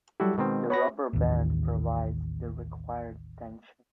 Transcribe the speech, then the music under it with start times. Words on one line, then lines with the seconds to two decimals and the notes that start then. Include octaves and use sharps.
The rubber band provides the required tension.
0.20 F#3 G3 E4 F#4 G4 A4
0.38 B2 D#3 G#3 C4
0.70 B3 F#4 C#5 B5 A#6
1.13 A1 D#2